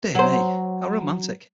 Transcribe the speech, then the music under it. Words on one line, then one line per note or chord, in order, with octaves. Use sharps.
Dear me, how romantic!
F#3 C5